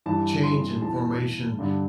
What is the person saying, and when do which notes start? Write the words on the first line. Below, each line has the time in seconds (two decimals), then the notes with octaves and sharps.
change in formation
0.06 G2 E3 A5
0.44 C6
0.82 E2 E3 A5
1.59 G2 D3